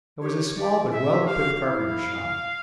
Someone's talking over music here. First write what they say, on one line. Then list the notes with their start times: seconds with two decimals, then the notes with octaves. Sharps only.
It was a small but well equipped carpenter's shop.
0.22 G4 C#5
0.57 G4 D5
0.92 G#4 E5
1.09 G4
1.20 G#4
1.27 G4 F5
1.44 F#4
1.61 E4 F5